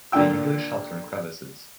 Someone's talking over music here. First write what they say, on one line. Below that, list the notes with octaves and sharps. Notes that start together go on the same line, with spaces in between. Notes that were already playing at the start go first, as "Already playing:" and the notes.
They usually shelter in crevices.
A#2 D3 D4 F4 G5 E6